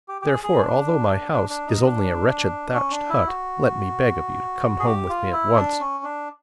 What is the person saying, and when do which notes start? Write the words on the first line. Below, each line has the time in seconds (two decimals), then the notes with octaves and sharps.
Therefore, although my house is only a wretched thatched hut, let me beg of you to come home with me at once.
0.08 G4
0.22 G4
0.26 G#4
0.43 G#4
0.61 D4
1.32 D4
1.50 D4
1.67 D#4
1.85 D4
2.74 C#4
2.91 D4
3.09 E4
3.27 F#4
4.80 G#4
4.86 G4
5.09 F4
5.33 E4
5.57 D4
5.80 C#4
6.04 D4